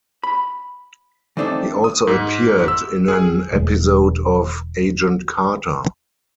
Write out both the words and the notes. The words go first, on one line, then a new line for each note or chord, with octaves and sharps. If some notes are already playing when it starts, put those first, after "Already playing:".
He also appeared in an episode of "Agent Carter".
B5
E3 A3 C4 D4 D#4 A4
D#6
G#2
E6
G#4
E1 G#3